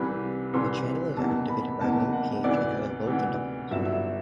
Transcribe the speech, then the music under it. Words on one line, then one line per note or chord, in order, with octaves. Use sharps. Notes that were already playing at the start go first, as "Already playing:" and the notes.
The channel is activated by low pH and has a low conductance.
Already playing: C2 C3 E3 G3 B5
C2 C3 E3 G3 C6
F#1 E2 C3 E3 A5
B5
F#1 E2 C3 E3 A5
F#5
D2 C3 E3 D5
D2 C3 E3
G1 G2 F#3 E5
E5